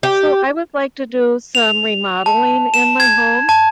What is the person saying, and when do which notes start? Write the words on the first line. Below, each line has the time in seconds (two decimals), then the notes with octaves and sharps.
So I would like to do some remodeling in my home,
0.03 G4
1.55 F7
2.26 A5
2.74 E7
3.00 G#6
3.49 A5